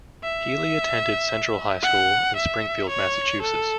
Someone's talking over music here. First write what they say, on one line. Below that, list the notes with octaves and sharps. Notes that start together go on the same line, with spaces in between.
Healey attended Central High School in Springfield, Massachusetts.
E5
F#5
E5
C#5
A4